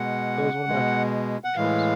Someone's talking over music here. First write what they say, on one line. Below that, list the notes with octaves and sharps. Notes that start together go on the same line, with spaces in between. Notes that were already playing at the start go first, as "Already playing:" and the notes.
that was one of my favorite cartoon shows.
Already playing: B2 G#3 F#5
B2 G#3
F#5
A2 E3 G#3 F5